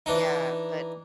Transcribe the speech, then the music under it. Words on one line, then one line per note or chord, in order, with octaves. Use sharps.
Yeah, but
E3 D4 D#4